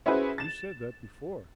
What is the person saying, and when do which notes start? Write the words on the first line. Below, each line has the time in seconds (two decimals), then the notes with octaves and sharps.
"You said that before."
0.06 C#4 E4 F#4 G#4 B4 C5
0.38 A6 E7